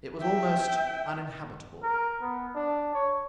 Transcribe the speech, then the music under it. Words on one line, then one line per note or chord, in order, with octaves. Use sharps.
It was almost uninhabitable.
E5 G5
A#4
B3
D4
C#5